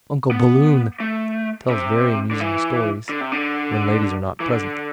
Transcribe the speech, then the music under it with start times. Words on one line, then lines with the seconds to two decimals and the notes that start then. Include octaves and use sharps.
Uncle Balloon!--Tells very amusing stories . . . when ladies are not present . . .
0.31 B3
1.00 A3
1.70 C3
2.31 D3
2.40 E3
3.09 D3
3.21 C3
3.32 D3
4.40 E3
4.48 D3